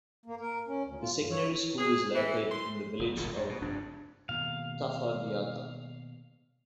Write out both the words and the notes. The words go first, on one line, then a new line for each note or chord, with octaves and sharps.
The Secondary School is located in the Village of Tafaigata.
A#3
A#4
C#4
D2
F4
G2
C#5
G#4
E3
C6
F#1
D#1 F#2 A2
G2
B2
F1 G2 D4
B2 D#3 A#3 F5